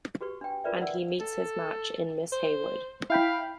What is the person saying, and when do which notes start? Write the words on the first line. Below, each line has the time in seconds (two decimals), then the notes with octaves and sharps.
And he meets his match in Miss Heywood.
0.21 F#4 G4 B4 C#6
0.41 D4 G5
0.64 F4 A#4 B4 D5 E5
0.80 D#4 D5 F#5 E6
1.20 A4
2.32 C5
3.10 E4 F5 G5 B5